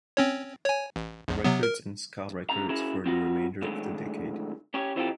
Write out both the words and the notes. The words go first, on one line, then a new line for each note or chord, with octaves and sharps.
Records and Ska Records for the remainder of the decade.
C4 C#4 C#5
C#5 G#5
A1
A#1 E2
C3 F#3 B3
A#4
C#2 G#2 C#3 A#5
C#4 E4 F#4 G#4 A#4
C4 F4 F#4
A2 D3 D#3 F#3 G#3
C#4 G4 C#5
E3 C4 D#4 F4 G4 A4